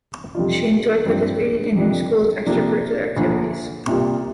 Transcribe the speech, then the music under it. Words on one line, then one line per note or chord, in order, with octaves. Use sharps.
She enjoyed participating in her school's extracurricular activities.
F2 C3 G3 D4 F4
G2 F3 C4
F2 C3 F3 D4
C3 F3 A#3 D4
D2 D3 F3 A#3
C2 C3 A#3 F4